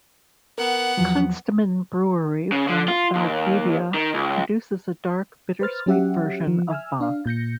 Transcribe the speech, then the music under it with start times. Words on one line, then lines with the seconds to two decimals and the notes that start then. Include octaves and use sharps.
Kunstmann Brewery from Valdivia produces a dark, bittersweet version of bock.
0.58 B3 A#4 F#5
0.97 E2 F3 F#3
2.52 C#3
2.68 D3
2.88 F4
3.15 D#2
3.94 D#3
4.14 C#2
5.61 B4 C5 F6 A6
5.86 F#3 C#4 G4 E5 F#5
6.47 F3
6.70 E5 G#5 E6 F6
7.01 D4 F5
7.26 A#2 G6 A#6 C#7